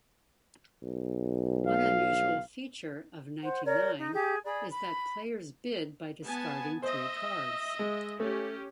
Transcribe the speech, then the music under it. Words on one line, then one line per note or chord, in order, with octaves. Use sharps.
One unusual feature of ninety-nine is that players bid by discarding three cards.
B1
F5
C5 F#5
A#4 C#5 D5
D#4
G4 G#4 G6
G#4 D5 B5
B5
B3 G#5 A5
C5 D#5 E5
G#3
A3 C#4 G4